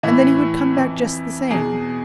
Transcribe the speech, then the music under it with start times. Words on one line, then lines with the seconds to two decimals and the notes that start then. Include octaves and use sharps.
"And then he would come back just the same."
0.03 A2 E3 E4
0.77 F2 E3
1.50 E2 B2 G#4